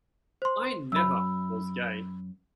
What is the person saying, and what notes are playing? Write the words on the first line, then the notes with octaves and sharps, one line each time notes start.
I never was gay.
C5 C6
F#2 B5 E6